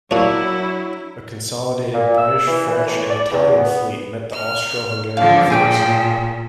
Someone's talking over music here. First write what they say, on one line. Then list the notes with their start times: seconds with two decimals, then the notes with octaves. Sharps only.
A consolidated British, French and Italian fleet met the Austro-Hungarian force.
0.11 A#2 F#3 D4 E4 C#5
1.94 A#2
2.18 E6
2.48 E3
2.68 E3
2.88 A2
3.09 D5
3.31 E2
3.58 B3
4.32 F6
5.17 D3 F3 D4 F5
5.50 A#2 G#4 G5 D6